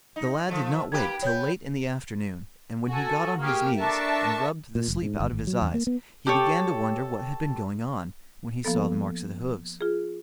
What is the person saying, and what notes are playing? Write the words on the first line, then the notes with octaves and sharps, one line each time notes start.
The lad did not wake till late in the afternoon, and when he got on his knees and rubbed the sleep out of his eyes, he began to wonder what had been going on, when he saw the marks of hoofs.
D#4
F3 A3
A#3 G4 B4 G#6
B3 C#5 G6
F#4 A4 G#5
A#3 G4 G#4 C#6 F6
D4 A4 A#4 E5 A5 C#6
A#2
F1
G#2
G1
G#1
F#3
E2
A#3
B3
G4 A4 C#5
F3 A#3 B3 A4
F4 G#4